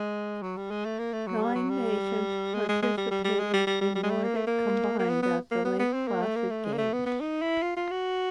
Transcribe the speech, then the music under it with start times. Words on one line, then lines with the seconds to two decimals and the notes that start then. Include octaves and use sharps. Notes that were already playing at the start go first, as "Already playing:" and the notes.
Nine nations participated in Nordic combined at the Lake Placid Games.
Already playing: G#3
0.42 F#3
0.57 G3
0.71 G#3
0.85 A3
0.99 A#3
1.13 A3
1.27 F#3
1.42 G3
1.55 F#3
1.70 G3
2.54 G#3
2.69 G#3
2.82 G#3
2.97 G3
3.11 G3
3.24 G3
3.39 G#3
3.53 G3
3.67 G3
3.81 G3
3.95 G3
4.03 G#3
4.10 A3
4.23 A#3
4.36 A3
4.47 A#3
4.99 A#3
5.09 B3
5.23 B3
5.51 A#3
5.65 B3
5.79 B3
5.94 C4
6.08 A#3
6.21 A3
6.36 A#3
6.50 A3
6.65 G#3
6.73 A#3
6.78 A3
6.93 B3
7.06 B3
7.20 D#4
7.42 E4
7.62 F4
7.76 F4
7.91 F#4